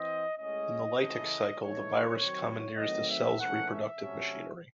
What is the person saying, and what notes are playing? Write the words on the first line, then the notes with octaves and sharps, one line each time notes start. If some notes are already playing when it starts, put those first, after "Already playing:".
In the lytic cycle, the virus commandeers the cell's reproductive machinery.
Already playing: E3 C4 D#5
A2 G#3 C#4 D#5
C#3 E3 A3 D#5
G#2 E3 A3 D#4 C#5
D#3 F#3 C4
D#3 F#3 A3 C4 D#5
E5
G#2 E3 A3 C#4 F#5
E5
C3 F#3 A3 C#4